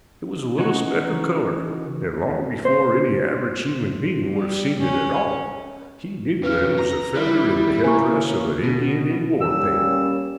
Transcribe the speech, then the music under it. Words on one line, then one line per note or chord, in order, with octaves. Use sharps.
It was a little speck of color, and long before any average human being would have seen it at all he knew that it was a feather in the headdress of an Indian in war paint.
C#3 E3 D#4 F#4
C5
G3
C#4
C3 C#4 B4 F6
A#5
G3 E4
C#3 A#3 A#4 G#5 C#6
B2
G3 A#3 C#4 E6